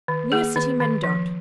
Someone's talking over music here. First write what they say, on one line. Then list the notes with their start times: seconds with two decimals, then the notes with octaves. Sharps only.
Mere City men don't.
0.08 D#3
0.32 A#3 G#4
0.56 D#3
0.80 D#3
1.04 F3